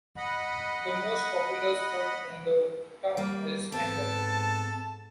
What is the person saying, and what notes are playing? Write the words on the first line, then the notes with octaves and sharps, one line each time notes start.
The most popular sport in the town is handball.
D#5 F#5 B5
G3 A#3
G#2 B3 C4 A4 A5